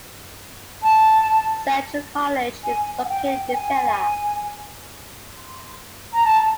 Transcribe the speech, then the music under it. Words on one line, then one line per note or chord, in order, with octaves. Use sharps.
Central College is located in Pella.
A5
G#5
F#5
G5
G5
G#5
A#5
A5